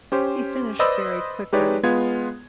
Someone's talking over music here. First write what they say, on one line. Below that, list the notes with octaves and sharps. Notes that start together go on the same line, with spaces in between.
He finished very quickly.
C#4 G4 C5
B4 C5 D5 D#5 B5 E6
G#3 D#4 G4 B4 C#5 D5
G#3 B3 F4 G#6